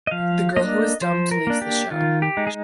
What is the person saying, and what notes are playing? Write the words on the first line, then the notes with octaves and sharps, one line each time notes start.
The girl who is dumped leaves the show.
D#5
F3 F5
A#3 D4 D#5
F3 C5
A#4
A#3 D4
G4
D#3 F4
G4
G#3 D#4
G#4